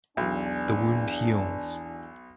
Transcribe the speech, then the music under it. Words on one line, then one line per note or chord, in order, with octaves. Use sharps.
The wound heals.
B1 E2 D4 G#5